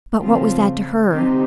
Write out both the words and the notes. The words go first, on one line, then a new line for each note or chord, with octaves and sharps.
But what was that to her?
C#3 F3 A3 C4 F4
D3 G3 C4 D#4 G4